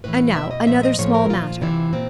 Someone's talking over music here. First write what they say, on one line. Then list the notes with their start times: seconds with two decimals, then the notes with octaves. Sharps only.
And now, another small matter.
0.04 A2 E3 B4
0.35 B2 E5
0.51 D#5
0.67 A#2 F3 E5
0.83 D#5
0.98 A2 F3 C#5
1.14 A#4
1.25 E4
1.30 A#2 F3 F4
1.61 C3 E3
1.93 A#2 C4